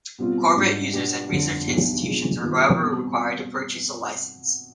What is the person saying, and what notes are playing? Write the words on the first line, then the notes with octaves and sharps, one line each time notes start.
Corporate users and research institutions are however required to purchase a licence.
B2 G3 C4 F4
G#2 G3 D4
B2 B3 D4 G4
G1 F2 D3
B1 B2 G3 D4 G4
B2 G#3 D4 F4
G2 D#3 G3 B3 F4
B2 G3 C4 G4